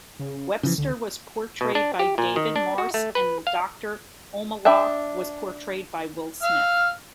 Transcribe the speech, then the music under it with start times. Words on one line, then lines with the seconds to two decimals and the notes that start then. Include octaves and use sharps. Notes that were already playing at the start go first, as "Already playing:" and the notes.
Webster was portrayed by David Morse and Doctor Omalu was portrayed by Will Smith.
0.19 C#3
0.63 C#3 E3 F3
0.78 C#2 D3
1.61 B2
1.75 D4
1.99 G4
2.18 A#2
2.36 D#3
2.56 D4
2.78 F#4
2.94 A3
3.15 B4
3.47 F5
4.65 D4 E5 G5 A5
6.43 F5 E6 F6